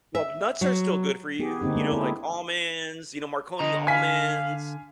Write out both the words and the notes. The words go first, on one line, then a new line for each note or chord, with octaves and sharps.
Well, but nuts are still good for you, you know, like almonds, you know, Marcona almonds.
E5
F#3
B3 G4 G#4
D3 A#3 C4 D#4 G4
G#3 A#3 D4
E4 G#4 A4
D3 D#5 A#5
F5 G#5 B6